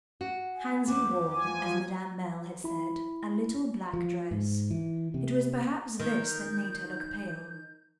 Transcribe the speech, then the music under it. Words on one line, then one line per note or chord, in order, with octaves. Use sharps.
Pansy wore, as Madame Merle had said, a little black dress; it was perhaps this that made her look pale.
F#4
G#5
E2 F#4 D6
F3 G#5
E4 B5
F3
G#2
E3
C3
D#3 G6